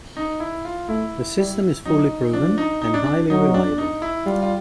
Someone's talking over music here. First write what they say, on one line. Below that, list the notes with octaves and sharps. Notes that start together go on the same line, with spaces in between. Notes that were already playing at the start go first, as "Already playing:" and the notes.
The system is fully proven and highly reliable.
D#4
E4
F4
A3 E4
G3
F#3 D#4
F3 D4
D#4
D#4
D4
D4
F#3 D#4
D4
D#4
E4
G3 F4
F4